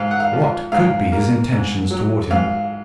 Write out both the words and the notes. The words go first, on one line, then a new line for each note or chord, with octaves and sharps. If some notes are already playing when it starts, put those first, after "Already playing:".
What could be his intentions towards him?
Already playing: G#2 F5
F#5
F5
F3
G#2 F5
A#3
G#2
F#3
G#2 F5